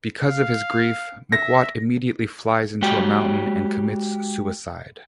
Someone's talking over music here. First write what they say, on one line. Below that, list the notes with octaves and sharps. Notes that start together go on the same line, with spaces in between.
Because of his grief, McWatt immediately flies into a mountain and commits suicide.
F5
E5 A#6
G#3 F#4 G4 G5